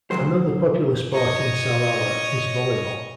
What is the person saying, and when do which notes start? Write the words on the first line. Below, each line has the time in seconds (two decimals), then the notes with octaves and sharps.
Another popular sport in Salalah is volleyball.
0.11 D2 B2 F#3 C5
1.13 C#5 D#5